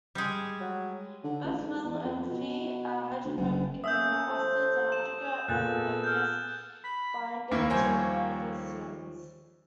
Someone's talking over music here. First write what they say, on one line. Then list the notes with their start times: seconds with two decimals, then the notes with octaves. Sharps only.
Both Ile and Phe are hydrophobic amino acids and undergo analogous binding to neurophysins.
0.15 G3 G#3
0.61 F#3
1.24 D3
1.43 A1
1.60 G#2
1.84 E2
2.05 F2
2.30 B2
3.25 D2
3.37 F#1
3.84 A#3 B3 C#4 E5 D#6 E6 G6
4.27 A1 A4 C5
4.92 E7
5.48 A#2 B3 G#4 A4 F#6 A6
6.04 F6 G6
6.84 B5
7.51 D#2 A#3 E4
7.70 D#3 F3 G3 C5 C#5 G#5